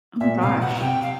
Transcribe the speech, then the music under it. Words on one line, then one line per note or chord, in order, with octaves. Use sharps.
Oh my gosh.
A#2 E5
C3 F5
B2
F#5
F#5
C3 G5
F5